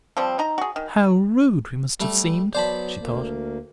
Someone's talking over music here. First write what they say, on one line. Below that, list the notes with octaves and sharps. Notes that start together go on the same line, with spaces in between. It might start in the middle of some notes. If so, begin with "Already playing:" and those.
"How rude we must have seemed!" she thought.
F3 G3 C4
D#4 A#5
F#4 G#4
D#3
G3 A3
F#3 B3 C5 D5 A5 B5
D2 A#3